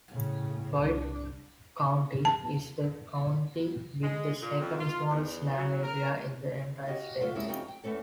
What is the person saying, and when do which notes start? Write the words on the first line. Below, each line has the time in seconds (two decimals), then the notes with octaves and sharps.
Floyd County is the county with the second-smallest land area in the entire state.
0.10 A2 C#3
0.77 C2 D4
2.25 A5
4.02 G#3
4.40 A#2
4.60 F2
4.79 F4
5.09 E2
5.56 F#3
5.82 A#4
6.86 F#4 G4 D#5 F5
7.21 F#3 A3 F4
7.35 G3 G#3 A#3 C#4 E4
7.48 F2 C#3 D#4 F#4 G5
7.68 G5
7.84 E2 E3 A3 C#4 A4